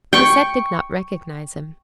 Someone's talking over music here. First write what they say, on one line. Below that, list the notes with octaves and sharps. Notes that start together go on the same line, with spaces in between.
Cosette did not recognize him.
G5 C#6